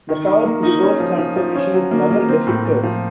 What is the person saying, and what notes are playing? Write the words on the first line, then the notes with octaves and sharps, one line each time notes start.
The pair's reverse transformation is never depicted.
D#3
D#3
A#3
D#4
C#4
F3
F3
F3
C#4
F#3
A#3
A#3
C4
A2
A2
F3